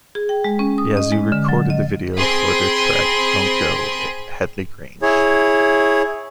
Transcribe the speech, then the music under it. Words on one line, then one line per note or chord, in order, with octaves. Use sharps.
Yazoo recorded the video for their track "Don't Go" at Headley Grange.
G#4
G5
G#3
C#4
D#6
D#5
G#3
D3
F#3
D#5
C4 G#4 B5 C6
E4 G#4 C#5